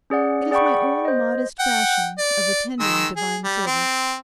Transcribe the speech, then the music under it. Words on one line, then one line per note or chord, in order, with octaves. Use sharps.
'It is my own modest fashion of attending divine service.
C#4 G#4 D5 F#5
G#4 D5 F#5 G5 B5 C#6
C5 D#5
F#5 G5
D5
D#3 G#3 E6
G#4
G3
C4